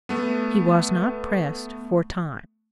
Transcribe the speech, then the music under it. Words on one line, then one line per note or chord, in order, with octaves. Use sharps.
He was not pressed for time.
A3 B3